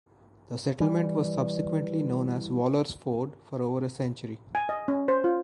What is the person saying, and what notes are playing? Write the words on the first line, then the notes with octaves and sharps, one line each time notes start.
The settlement was subsequently known as Waller's Ford for over a century.
E3 G3
G#5
D#5
C#4
C5
F4